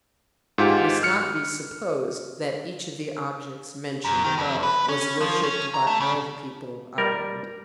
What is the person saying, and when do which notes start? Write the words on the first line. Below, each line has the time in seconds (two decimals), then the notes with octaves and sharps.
It must not be supposed that each of the objects mentioned above was worshipped by all the people of Ireland.
0.58 G#2 F4 G4
1.03 F6 C#7
4.05 F#2
4.24 D#3
4.38 F2
4.63 B4
4.89 C#4
5.21 F3
5.43 C#4
5.74 A#5
5.87 A3
6.00 C#3
6.98 G3 A#4 D5